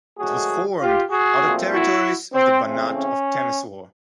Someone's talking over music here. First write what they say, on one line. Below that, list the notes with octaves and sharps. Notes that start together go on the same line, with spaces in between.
It was formed out of territories of the Banat of Temeswar.
G#2 D#3 F#3 A3 F#4 G#4
F4 G4
F#4 G#4
A#2 F3 A3 C4
E4 F#4
C4
C#3 E3 A3 C4
C#4